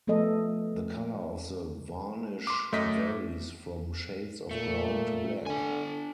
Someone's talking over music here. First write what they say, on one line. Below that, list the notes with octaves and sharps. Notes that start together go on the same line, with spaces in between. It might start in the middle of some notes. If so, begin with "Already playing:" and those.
The color of the varnish varies from shades of brown to black.
F3 A3 B3 A4 D#5
C6 D6
F#2 A3 D#5 B6
A#2 A3
D3 D4 G#5